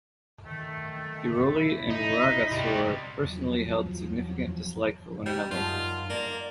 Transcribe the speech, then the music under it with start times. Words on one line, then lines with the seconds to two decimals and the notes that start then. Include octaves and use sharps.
Biroli and Rwagasore personally held significant dislike for one another.
0.45 D#3 A3
1.54 E4 B5
1.90 D#4
2.51 C3 G3
3.14 E2 F3 F#3
5.26 G3
5.51 F#2 D#4 F4 A5
6.10 A#3 D5